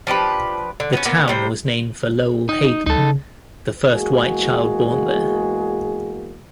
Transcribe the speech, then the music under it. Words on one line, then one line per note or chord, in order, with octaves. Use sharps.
The town was named for Lowell Hayden, the first white child born there.
F3 D4 G4 B4
D3
B3 C#4
A#2 A#3 B3
C3 G3 C5
D#4
D2 D#4 A4
C#3
E2 G#3 A#3 F#4 G#4